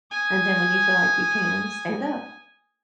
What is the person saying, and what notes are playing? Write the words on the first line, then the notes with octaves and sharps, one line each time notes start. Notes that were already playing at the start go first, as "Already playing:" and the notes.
and then, when you feel like you can, stand up
G#5 D#6